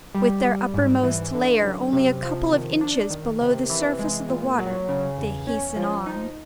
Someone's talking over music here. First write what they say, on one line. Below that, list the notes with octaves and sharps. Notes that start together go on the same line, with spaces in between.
With their uppermost layer only a couple of inches below the surface of the water they hasten on.
G3
G3
G#2
E3
D3
F#2
C3
F3
D#3
D4
D#3
C3
E3
G#3
A#2
F#3
C#3
E2
C#4
F3
D#4